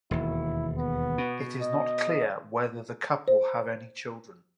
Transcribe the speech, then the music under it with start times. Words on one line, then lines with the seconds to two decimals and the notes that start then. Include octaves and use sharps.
It is not clear whether the couple have any children.
0.11 E1 D#2 E4
0.77 B3
1.18 B2
1.61 D#5
3.28 C5